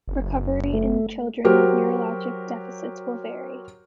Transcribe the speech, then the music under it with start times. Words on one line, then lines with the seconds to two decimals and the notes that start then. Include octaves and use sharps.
Recovery in children with neurologic deficits will vary.
0.07 F#1
0.73 A3
1.44 F#3 F#4 G4 A#4 C5